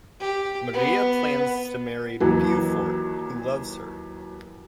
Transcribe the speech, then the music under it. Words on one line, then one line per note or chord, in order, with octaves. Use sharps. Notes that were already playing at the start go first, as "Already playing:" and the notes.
Maria plans to marry Beaufort, who loves her.
G4
B3
D#2 E3 F#3